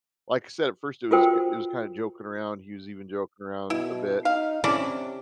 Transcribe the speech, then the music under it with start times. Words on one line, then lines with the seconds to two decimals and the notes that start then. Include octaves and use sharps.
like said, at first it was k it was kinda joking around. He was even joking around a bit,
1.11 F4 F#4 A4 A#4 C5 G5
3.70 B2 E4
4.25 D#4 F5
4.64 C3 C#4 D4 E4